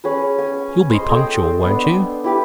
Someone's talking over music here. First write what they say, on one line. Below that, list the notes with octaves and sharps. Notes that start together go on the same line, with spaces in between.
"You'll be punctual, won't you?"
C#4 G#4 B4
G#5
C5 D#5
A4 D#5 G5
B3 D4
E4 G4 B4